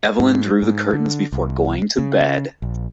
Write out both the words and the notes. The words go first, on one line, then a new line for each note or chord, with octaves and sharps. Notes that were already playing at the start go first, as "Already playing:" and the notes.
Evelyn drew the curtains before going to bed.
G#2
G#2
D3
C2
C#3
A#1